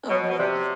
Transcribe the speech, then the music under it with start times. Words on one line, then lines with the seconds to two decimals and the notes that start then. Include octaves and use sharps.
Oh, man.
0.09 B2 C#5
0.23 C#5
0.30 B2
0.38 C3 D5